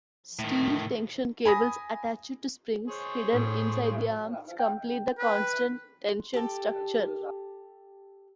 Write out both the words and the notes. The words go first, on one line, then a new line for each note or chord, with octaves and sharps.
Steel tension cables attached to springs hidden inside the arms complete the constant-tension structure.
A2 D#3
G#5 B5 D#6 A#6
G#4 C5 C#5
A2
G5
B4
G4 A4